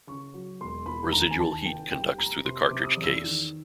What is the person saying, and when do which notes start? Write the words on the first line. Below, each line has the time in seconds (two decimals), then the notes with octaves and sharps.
Residual heat conducts through the cartridge case.
0.07 C#3 C#6
0.34 F#3
0.61 E1 C6
0.86 E1 B5
1.12 D#2 A#5
1.31 G#5
1.39 D#3 A5
1.65 F1 G5
1.92 G3 G5
2.18 F1 A#5
2.45 C3 C6
2.64 D6
2.71 C3
2.84 D#6
2.97 E2
3.04 E6
3.24 D#3